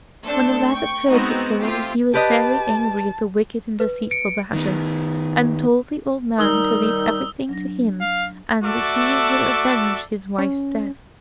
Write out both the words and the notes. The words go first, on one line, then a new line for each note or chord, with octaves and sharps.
When the rabbit heard the story he was very angry at the wicked and deceitful badger, and told the old man to leave everything to him and he would avenge his wife's death.
A3 C4 D4 A4
G5 C#6
G#3 B3 C4 D#4 F#4
A3 C4 F4 G4
G4 B4 D#5 A5
B4
C#7 D7
D#3 B3
D#3 G3 D#4 D#6 E6 G7
F#3 D4 A#6
F5
A3 F#4 A4 D5 E5 D6
C#4